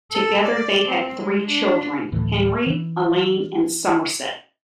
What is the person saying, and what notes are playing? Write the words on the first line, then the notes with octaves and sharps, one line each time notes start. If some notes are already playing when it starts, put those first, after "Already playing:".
Together they had three children, Henry, Elaine and Somerset.
A4
D5
C4
G#3
D4
D1 A2 E3
E3